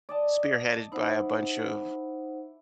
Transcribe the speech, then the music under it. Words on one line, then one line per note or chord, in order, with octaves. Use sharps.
spearheaded by a bunch of
D5 D#5 A5
D#4 E4 C5 F#5